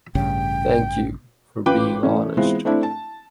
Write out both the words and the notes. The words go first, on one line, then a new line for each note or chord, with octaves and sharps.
Thank you for being honest.
A1 G2 C#3 G5
A1 F4 B4 G5 D6
E3 A3 C#4
E3 G#3 B3 C4 E4 F4
A3 C4 D4 E4
A5